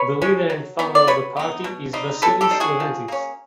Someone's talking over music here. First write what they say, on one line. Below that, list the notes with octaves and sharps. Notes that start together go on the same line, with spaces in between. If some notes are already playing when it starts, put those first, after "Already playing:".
The leader and founder of the party is Vassilis Leventis.
Already playing: B4 C#5
G#3 C#4
F#3
B3 D#4
D5
F#3 B4 C#5
B3 D#4
B2
G3 C4 D#4
B2 A4 B4
G4 A4
G3 C4 D#4
F#4 G#4
F3
A#3 C#4